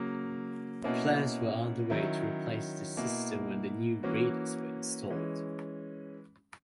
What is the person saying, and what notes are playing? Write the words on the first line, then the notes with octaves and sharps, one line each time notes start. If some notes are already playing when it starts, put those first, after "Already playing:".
Plans were underway to replace this system when the new radars were installed.
Already playing: C#3 F#3 A#3
B2 A#3 C#4 E4
D#3 F#3 C#4 E4
B2 A#3 E4
E3 A#3 C#4 F#4
E3 G#3 C#4